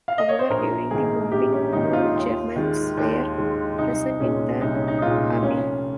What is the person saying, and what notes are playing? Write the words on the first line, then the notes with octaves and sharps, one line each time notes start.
However, during the bombing no Germans were present in the abbey.
F5
D#5
C#5
C5
A#1 A#4
G#2 D#3 A#3 G#4
A#1 G4
C#4
G#2 D#3 A#3 D#4
F4
D#2
D#3 G#3
D#2
D#3 G#3
C2 D#4
A#2 G#3 C#4
C2 D#4
C#4
D#4
D#4
A#2 G#3 F4
F1 C#4